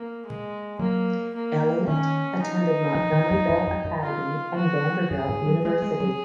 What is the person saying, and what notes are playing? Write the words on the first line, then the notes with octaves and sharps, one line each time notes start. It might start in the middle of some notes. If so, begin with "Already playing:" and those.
Elliott attended Montgomery Bell Academy and Vanderbilt University.
Already playing: A#3
G#3
F#3 A#3
A#3
D#3 C#4
D#4
F3
D#3
F2
F#2
F2
F#2
F4
F#4
F#2 G#4
G#2
F#3
G#3 G#4
G#3
F#3